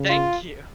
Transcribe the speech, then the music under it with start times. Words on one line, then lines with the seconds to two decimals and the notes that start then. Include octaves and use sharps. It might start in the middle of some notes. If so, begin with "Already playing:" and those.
Thank you.
Already playing: C#3
0.09 F4